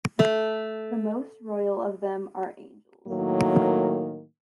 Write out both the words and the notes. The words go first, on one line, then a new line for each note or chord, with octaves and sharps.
The most royal of them are angels.
A3
A2 D#3 F#3 A#3